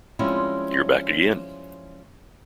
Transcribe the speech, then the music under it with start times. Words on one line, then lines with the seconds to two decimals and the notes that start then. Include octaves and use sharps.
You're back again.
0.19 F3 G3 G#3 C4 C#4 E4